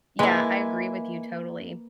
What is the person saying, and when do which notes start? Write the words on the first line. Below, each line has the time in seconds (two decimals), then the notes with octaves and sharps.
Yeah, I agree with you totally.
0.19 G#3 A#3 E4 B4 G#5